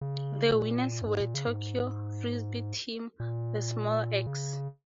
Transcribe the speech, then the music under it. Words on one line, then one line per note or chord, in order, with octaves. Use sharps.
The winners were Tokyo Frisbee team The Small Axe.
C#3
A#2
F#2
G#2
A#2
C#3
G#2
A#2
C#3